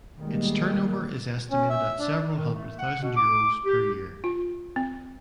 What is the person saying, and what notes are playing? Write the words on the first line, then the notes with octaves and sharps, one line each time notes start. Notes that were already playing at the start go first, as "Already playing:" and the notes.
Its turnover is estimated at several hundred thousand euros per year.
B2 D#3 G3 G#3 A#3
C#4
E5
D4
D#3
A3
F#5
B2
D6
G4
F4
C4